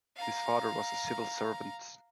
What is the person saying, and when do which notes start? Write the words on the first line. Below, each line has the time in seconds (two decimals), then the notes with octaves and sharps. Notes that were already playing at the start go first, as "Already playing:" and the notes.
His father was a civil servant.
0.17 F5 A#5